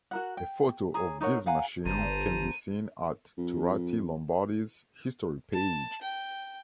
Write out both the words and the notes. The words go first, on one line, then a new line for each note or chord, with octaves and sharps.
A photo of this machine can be seen at Turati Lombardi's history page.
F#4 A#4 F#5
G5
G#4 C#5 A#5
D#4 A#4 C#5 F#5
F5 F#5 G#5 A#5
G1 C5 A5 A#5 D#7
F2
A5
G5